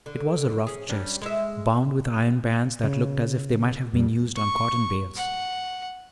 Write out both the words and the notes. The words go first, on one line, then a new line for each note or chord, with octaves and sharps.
It was a rough chest, bound with iron bands that looked as if they might have been used on cotton bales.
D3
C#4 G#4
G3 C#4 D4
G#3 E5
C#3
F2 G3
C#6
F#5